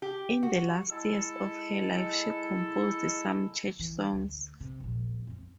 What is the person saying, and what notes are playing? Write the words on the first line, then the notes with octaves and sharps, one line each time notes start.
In the last years of her life she composed some church songs.
G4
F#4
G#3 E4 A4
E3
D2
C3
D#1 A#1
F2 C#4